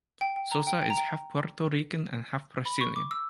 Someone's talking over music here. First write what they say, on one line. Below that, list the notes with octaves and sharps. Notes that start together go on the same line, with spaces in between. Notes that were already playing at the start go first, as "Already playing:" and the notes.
Sosa is half Puerto Rican and half Brazilian.
G5
G5
A#5
G5
G5
A#5
G5
B5
C#6
D6
E6